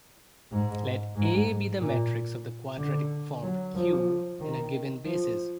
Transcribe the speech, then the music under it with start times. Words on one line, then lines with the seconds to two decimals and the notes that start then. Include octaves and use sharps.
Let "A" be the matrix of the quadratic form "q" in a given basis.
0.51 G#2
1.16 G#2
1.80 A#2
2.77 D3
3.42 F#3
3.75 F3
4.39 D#3
5.04 F3